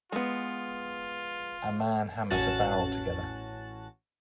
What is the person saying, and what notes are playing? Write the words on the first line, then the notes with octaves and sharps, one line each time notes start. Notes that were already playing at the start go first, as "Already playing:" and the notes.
A man hammers a barrel together.
G#3 B3 F4
A1 C#4 F#4 A5 F#6 A6